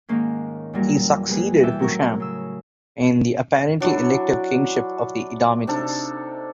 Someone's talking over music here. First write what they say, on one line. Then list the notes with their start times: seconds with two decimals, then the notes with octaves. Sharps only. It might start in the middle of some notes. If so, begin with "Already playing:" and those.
He succeeded Husham in the apparently elective kingship of the Edomites.
0.09 G#2 D#3 G#3 A#3 C#4
0.74 E2 A#2 F#3 G3 A#3 A#4
1.28 C3 G3 A#3 G#4 B4
1.63 E3 E5 G5 A5
1.79 A2 F#3 A#4 C#6
2.20 C#3 E6
3.80 F#3 D4 E4 F#4
5.67 C3 D4 D#4 A4